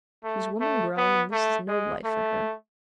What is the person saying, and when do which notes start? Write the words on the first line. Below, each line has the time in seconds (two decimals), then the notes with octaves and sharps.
She's woman grown and this is no life for her.
0.24 A3
0.60 A3
0.97 B3
1.32 A3
1.68 G#3
2.04 A3